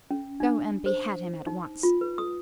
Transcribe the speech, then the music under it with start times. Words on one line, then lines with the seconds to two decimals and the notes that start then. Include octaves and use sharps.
Go and behead him at once.
0.11 C#4
0.40 D4
0.86 C5
1.47 D#4
1.83 F4
2.01 B4
2.18 D#6